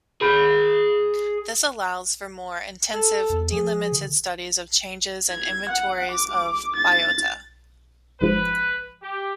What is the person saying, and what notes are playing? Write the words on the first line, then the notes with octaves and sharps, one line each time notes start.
This allows for more intensive, delimited studies of changes and inventories of biota.
G#4 B5
A4
E2
F3 G#4
D3
G#6
F#5
D6
A6
G1 G#2 F3 B4
G4